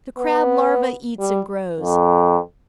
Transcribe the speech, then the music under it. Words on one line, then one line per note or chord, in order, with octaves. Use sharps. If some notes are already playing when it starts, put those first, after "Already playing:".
The Crab larva eats and grows.
B3
G3
F2